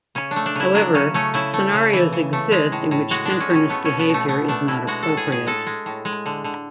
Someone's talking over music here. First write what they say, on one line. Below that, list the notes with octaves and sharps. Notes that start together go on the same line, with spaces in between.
However, scenarios exist in which synchronous behaviour is not appropriate.
C#3 C#4
D4
A3
D4
C#3 E4
F#3 D4
C#3 C#4
A3 C#4
C#3 E4
A3
C#3
E3
C#3
A3
G#3
A2
A2
G#3 F#4
G#3 D4
C#4
A2
C#4
A3 B3
B2 C#4
B3
B2 A3
A3 B3
A3 D4
B2 E4
G#3 F#4
A4
A2
G#4
A2
G#4
G#3 A4
G#3
A2
G#3
D3
D3